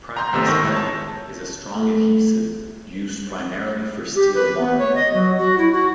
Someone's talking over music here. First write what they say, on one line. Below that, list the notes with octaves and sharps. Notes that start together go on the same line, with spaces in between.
Pratley's Putty is a strong adhesive used primarily for steel bonding.
A#5 C6 G6
G#1 C3 B3 A4 E6
D#3 C#6 G6 A#6
A2 G#3
C#5 A5
A3
G4
B4
B3
C#5
D#5
F#3
F#4
E4
F#4